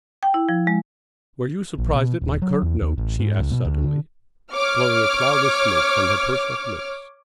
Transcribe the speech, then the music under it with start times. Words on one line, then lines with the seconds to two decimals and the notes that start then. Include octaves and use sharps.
"Were you surprised at my curt note?" she asked suddenly, blowing a cloud of smoke from her pursed-up lips.
0.23 G5
0.34 E4
0.49 F3
0.67 G#3
1.78 A#1
1.92 B2
2.22 D#1
2.42 F#3
2.62 E2
2.81 D#2
2.98 A1
3.19 G#2
3.39 C#2
3.52 B2
3.65 D2
3.84 D3
4.52 C#5 D6 F6